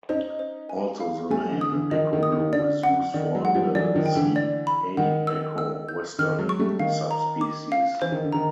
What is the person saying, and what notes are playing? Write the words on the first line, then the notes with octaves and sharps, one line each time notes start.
Also the name echo blue is used for the "C. a. echo" western subspecies.
C#4 D#4 C5
C5
G#5
F5
G3 A3 G#5
D3 E3
D#6
D3 E3
D#3 F3 D#5
D#3
D#6
D#3
D3 D5
F#5
D#3 D5
F#3 G#3
F#5
F3 G3
E3 F#3 D5
D#3 F3
G5
D3 E3
D5
B5
D#3 F#5
E6
E6
G6
D#3 F6
F#3 G#3
C#6
G3 A3
D#3 F5
A#5
D6
F5
E3 C5
D#3
D3
D#3 A#5